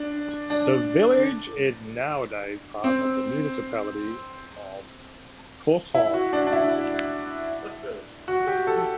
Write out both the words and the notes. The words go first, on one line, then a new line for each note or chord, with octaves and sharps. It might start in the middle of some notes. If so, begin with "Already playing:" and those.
The village is nowadays part of the municipality of Korsholm.
Already playing: D4
D4
C4
E4
F#4
D4
D4
E4
F#4
G4
A4